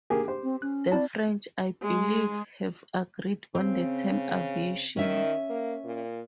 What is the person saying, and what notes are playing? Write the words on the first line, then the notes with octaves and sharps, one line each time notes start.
The French, I believe, have agreed on the term aviation.
A#3 G4 G#4
G4 C5
C4
C#4 F#6
C4 E4 D5 A5
G#3
C#3 C4
D#3 C#4 E5
A#3
A#2